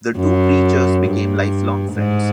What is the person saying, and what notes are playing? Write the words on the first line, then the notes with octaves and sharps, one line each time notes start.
The two preachers became lifelong friends.
F#2
G2
G#2